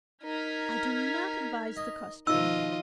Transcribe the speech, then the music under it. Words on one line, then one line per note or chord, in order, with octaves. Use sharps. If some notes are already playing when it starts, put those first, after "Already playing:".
I do not advise the custard.
D#4 A#4 F6 G#6 B6
D#5
B2 D#3 F3 D#4 F4 D#5 E6